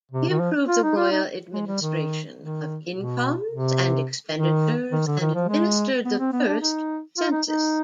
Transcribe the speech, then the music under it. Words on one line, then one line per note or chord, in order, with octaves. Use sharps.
He improved the royal administration, of incomes and expenditures, and administered the first census.
C3
D#3
F3
F4
D#4
F4
D#4
G#3
G3
D#3
D#3
B2
C3
D#3
D#3
D3
D#3
F3
G#3
B3
C4
B3
D4
D#4
F4
D#4
D#4